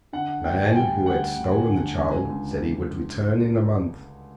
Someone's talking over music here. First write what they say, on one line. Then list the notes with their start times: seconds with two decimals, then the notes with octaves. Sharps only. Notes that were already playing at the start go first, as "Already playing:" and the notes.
The man who had stolen the child said he would return in a month.
0.13 D3 F#5
0.44 D2 G5
0.66 G#5
0.75 G3 G5
1.06 D2 F#5
1.37 D2
1.52 G#5
1.68 D3
1.98 C#2 G#5
2.29 C#2